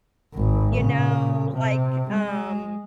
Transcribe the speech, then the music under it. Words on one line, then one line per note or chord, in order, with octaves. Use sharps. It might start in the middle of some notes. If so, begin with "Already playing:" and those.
you know, like, um,
G#1
A#2 C#3
C3
G#3